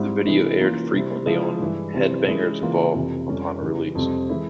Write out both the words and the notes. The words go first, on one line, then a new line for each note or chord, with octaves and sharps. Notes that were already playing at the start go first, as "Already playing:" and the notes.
The video aired frequently on "Headbangers Ball" upon release.
Already playing: G#2 G3 C4 E4
C3 E3 G#3 E4
E3 A#3 C#4 F4
C3 G3 C4 E4
C#3 F3 G#3 E4
G2 E3 G#3 E4
C3 E3 G3 C4
E3 G#3 C#4 E4
C#3 E3 A#3 F4
F2 C3 E3
F2 C3 G3 C#4
C#3 E3 G3
F2 C3 G3 C4 F4
E3 G#3 E4